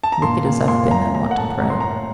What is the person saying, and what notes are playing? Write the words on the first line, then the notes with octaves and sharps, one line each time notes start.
Wicked as I've been, I want to pray.
A5
A#5
A#2 C6
A#2
A#2 C6
A#2 A#5
A2 A#5
F#5
A2 A5
A2 A#5
C6
A2 A#5